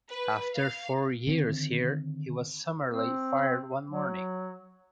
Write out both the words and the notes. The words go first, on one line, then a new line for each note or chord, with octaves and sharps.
After four years here, he was summarily fired one morning.
B4
F5
D3 D#3 C4
C4
F#3